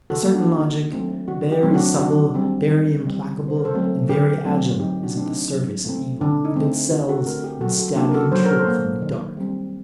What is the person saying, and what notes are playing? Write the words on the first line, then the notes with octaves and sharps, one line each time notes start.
A certain logic, very supple, very implacable, and very agile, is at the service of evil, and excels in stabbing truth in the dark.
F#4 A4
A#3
D4 F#4
D#3 D#4
F#3 A3 C4
D#3 D4 F#4
D#4 G4
F#3 A3 C4
D4 F#4
D#3 D4 F#4
G3 C4
D#3
G3 C4
D3
C5
A#4
A4 C5
F#3 A3 C4
D3 G4 A#4
F#3 A3 C4
F#3 D#4 G4
D4 F#4
A3 C4 D4
D#4
F#3
A3 C4
D3 D4
D#4
A3 C4
D3 D4 F#4
F#4 A4
A3 C4 G4 A#4
G4 A#4
F#3 F#4 A4
F#4 A4
A#3 D4 F#4
A#4
F#4 A4
F#3 C5
A#4
A4 C5
A#3
D#3
G3 C4